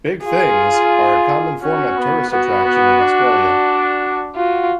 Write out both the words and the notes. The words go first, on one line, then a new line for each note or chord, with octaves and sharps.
Big Things are a common form of tourist attraction in Australia.
F4 G#4
C#4 F#4
B3
B3 F#4
B3
D4
F4 F#4